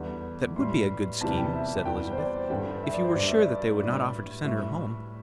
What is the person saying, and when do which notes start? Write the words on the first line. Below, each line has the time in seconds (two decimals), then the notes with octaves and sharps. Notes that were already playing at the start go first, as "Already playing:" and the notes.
"That would be a good scheme," said Elizabeth, "if you were sure that they would not offer to send her home."
Already playing: E2 D3 G3
0.56 A2 G3 C6
1.21 E2 C3 E3 G3 A5
1.37 G5
1.53 E5
1.85 E2 E3 G3 G5
2.13 C5
2.18 D5
2.50 G2 D3 G3 G5
2.83 E5
2.94 D5
3.04 C5
3.15 G2 G3 D5
3.26 E5
3.37 D5
3.80 A2 G3 D5
4.44 A2 G3 E5